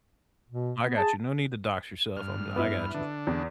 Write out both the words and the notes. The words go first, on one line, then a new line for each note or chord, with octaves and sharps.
I got you, no need to dox yourself, I'm d I got you.
B2
B3
G#4 A5
G2 F6
B3 E4
D3 D4
E2